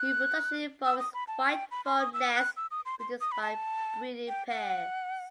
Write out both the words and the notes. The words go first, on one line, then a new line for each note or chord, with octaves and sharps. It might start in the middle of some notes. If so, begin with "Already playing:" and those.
Reproduction involves white foam nests produced by breeding pairs.
Already playing: F#6
E6
D#6
B5
A5
G5
B5
C6
D#6
E6
F#6
E6
D#6
C6
C6
D#6
B5
A5
G5
F#5